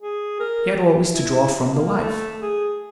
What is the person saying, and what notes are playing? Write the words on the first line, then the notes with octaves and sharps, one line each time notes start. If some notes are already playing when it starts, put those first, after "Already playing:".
He had always to draw from the life.
G#4
A#4
G4
E4
A#3
A3
G#4